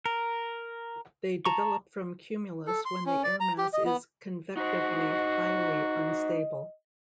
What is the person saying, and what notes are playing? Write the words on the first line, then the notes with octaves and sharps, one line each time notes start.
They develop from cumulus when the airmass is convectively highly unstable.
A#4
A5 A#5 C#6
A4
C6
C#4
D5
A#5
G4
D#5
B3
D#4 F#4 C5 D#5